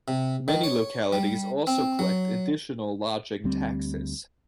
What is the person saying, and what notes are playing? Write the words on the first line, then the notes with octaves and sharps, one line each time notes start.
Many localities also collect additional lodging taxes.
C3
D#3
C#5
G3
C4
F#3
D2 G3 C4